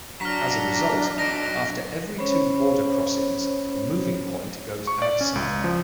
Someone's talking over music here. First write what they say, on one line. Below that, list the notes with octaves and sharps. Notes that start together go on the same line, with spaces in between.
As a result, after every two "border crossings" the moving point goes outside.
F#3 D4 A#5 F6 B6
F#3 D#4 D#6 A#6 D7
C#4 C5 C#5 B5
C#6
D5
C#4
C#2
F3